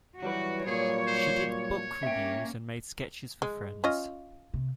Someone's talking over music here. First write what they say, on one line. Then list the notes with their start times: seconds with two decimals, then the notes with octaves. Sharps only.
She did book reviews and made sketches for friends.
0.23 E3 F#3 G3 F#4 B4
0.67 A#2 G#4 C#5
1.07 C5
1.64 C#5
2.03 A#3 C#4 E5 G5
3.42 G#3
3.84 C#4 F4 D#5
4.54 C3